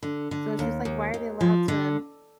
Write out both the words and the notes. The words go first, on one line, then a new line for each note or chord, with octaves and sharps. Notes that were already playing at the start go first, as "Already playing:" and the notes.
so it's just, like, why are they allowed to
D3
D3
D#2
D#2
D#2
F3
D3